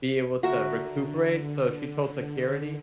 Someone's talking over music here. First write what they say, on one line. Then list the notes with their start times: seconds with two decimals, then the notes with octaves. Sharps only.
be able to recuperate, so she told security,
0.43 D3 F#4 A#4 E5